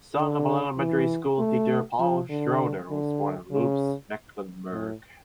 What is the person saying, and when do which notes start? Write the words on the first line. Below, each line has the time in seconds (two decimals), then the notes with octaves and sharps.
Son of an elementary school teacher, Paul Schröder was born in Lübz, Mecklenburg.
0.17 D3
0.78 E3
1.39 A3
1.99 F3
2.30 D3
2.90 D3
3.51 C#3
4.72 A2